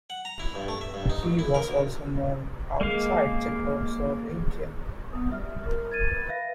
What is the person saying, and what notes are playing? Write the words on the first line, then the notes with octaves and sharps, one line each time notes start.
He was also known outside Czechoslovakia.
F#5
A#5
E4
G2
A3
E5
G2
D#4
A1
E4
A#4
D2
G#3 A#3 F5
B3 D#6
G3 E5 F6
A#4
G#6 A6 D#7
B4
E5 F5 A#6